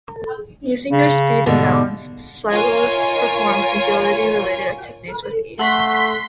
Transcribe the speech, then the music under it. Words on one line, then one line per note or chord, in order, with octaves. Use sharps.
Using their speed and balance, Shilohs perform agility related activities with ease.
C#3
G#2 B2 D3 G3
F4 A#4 C#5 G#5
A3 A4 F#5 C6 C#6 F#6 B6